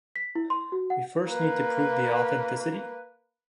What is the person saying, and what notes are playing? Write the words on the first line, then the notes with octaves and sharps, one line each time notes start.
We first need to prove the authenticity?
B6
E4
C6
F#4
F#5
A#3 B4